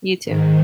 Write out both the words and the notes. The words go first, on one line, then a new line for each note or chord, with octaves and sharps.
You too.
G#2 D#3